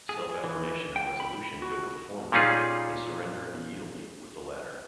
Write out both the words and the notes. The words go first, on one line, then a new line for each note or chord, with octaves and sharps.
Self-affirmation and resolution go with the former and surrender and yielding with the latter.
G#4
E3
G5
B5
F#4
A#2 G3 C#4 D#4 F4 G#4